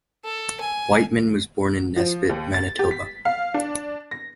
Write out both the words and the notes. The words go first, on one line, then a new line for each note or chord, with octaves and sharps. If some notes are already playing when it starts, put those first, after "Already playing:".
Wightman was born in Nesbitt, Manitoba.
A4
G#5
F3
D#2
A6
G4
B6
F5
D4
A#6